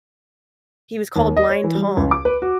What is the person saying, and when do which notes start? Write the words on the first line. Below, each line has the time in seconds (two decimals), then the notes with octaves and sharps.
he was called Blind Tom.
1.16 D#2
1.37 D#5
1.50 C#5
1.64 E3
1.75 G3
1.97 C#2
2.11 D6
2.25 B4
2.42 F#4